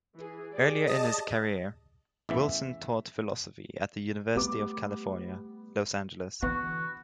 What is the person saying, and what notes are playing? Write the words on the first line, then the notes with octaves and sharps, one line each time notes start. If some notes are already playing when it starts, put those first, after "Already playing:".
Earlier in his career, Wilson taught philosophy at the University of California, Los Angeles.
E3 G#4
G4 G#4 D5
D#5 A5
A1 E2 E3 E5
G3 A3 B3 D6
D3 E3 B3 F#4 C#6